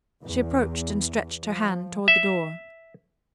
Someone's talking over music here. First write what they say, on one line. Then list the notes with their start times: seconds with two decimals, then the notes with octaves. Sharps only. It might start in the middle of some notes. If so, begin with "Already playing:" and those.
She approached, and stretched her hand toward the door.
0.23 E2
1.44 F3
2.08 E5